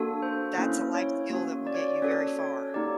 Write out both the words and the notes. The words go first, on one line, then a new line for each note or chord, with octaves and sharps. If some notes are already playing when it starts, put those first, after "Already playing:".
that's a life skill that will get you very far.
Already playing: A#3 D4 F#4 A4
C5
A#3 C#4 E4
C#5
A#3 C#4 F#4
D5
C#5
D5
C#4 F#4 A4 C#5
C#5
A#3 D#4 G4 D5